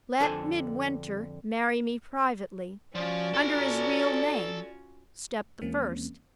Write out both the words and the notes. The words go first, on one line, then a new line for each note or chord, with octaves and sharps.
Let Midwinter marry me privately, under his real name--step the first!
F2 D3 A4 C5 G#5
F3 C#4 F4 F#4 D5
A4 A#5
D#2 E3 G#3 A#3 C4 C#4